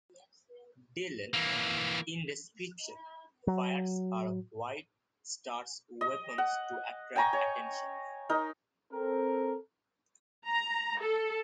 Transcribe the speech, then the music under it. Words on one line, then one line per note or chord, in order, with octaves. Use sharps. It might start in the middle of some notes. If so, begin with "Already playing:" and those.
Delenn, in desperation, fires her White Star's weapons to attract attention.
E3 A#3
F#3
D#5
F#5
G5 G#5 A#5 C#6
C#5
D#4 A#4
C4 A4 A#4
A#5
A4